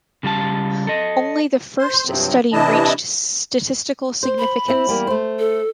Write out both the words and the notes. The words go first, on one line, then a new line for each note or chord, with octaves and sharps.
Only the first study reached statistical significance.
C#3 G3 F4 A5
A4 D#5
C5 C6
G2 C3 F3 F#3 C4
C3 E3 D4 E4 D#5 A5
C5
B5
C4 E4
E2 G3 A#3
A3 C5
A4